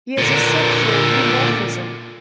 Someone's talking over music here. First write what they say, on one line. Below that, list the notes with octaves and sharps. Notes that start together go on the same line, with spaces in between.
He has a sexual dimorphism.
A#2 D3